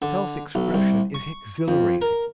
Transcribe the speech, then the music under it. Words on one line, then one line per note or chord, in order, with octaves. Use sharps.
Self-expression is exhilarating.
D3
B1
C2
C#6
F2
A#4